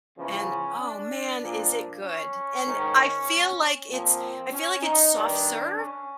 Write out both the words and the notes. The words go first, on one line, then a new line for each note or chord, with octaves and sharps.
And oh, man, is it good? And I feel it's I feel like it's soft serve
E2 C#3 F3 C#4
D4
A#2 F3
C#4
G#2 D#3
A#2 F3 C4
C#4
D#4
G2 D#3 D4
C#4